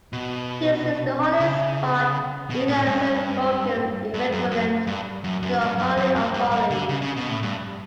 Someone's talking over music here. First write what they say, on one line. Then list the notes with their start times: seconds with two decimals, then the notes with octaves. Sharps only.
This is the holiest spot in a synagogue, equivalent to the Holy of Holies.
0.13 B2
1.40 C#3
2.50 B2
2.68 A2
2.87 G2
4.14 G2
4.32 F#2
4.51 F#2
4.87 G2
5.24 F#2
5.42 F#2
5.61 G2
5.78 F#2
5.97 F#2
6.16 G2
6.34 G2
6.52 G2
6.70 D3
6.89 C#3
7.02 C#3
7.16 B2
7.29 A2
7.43 G2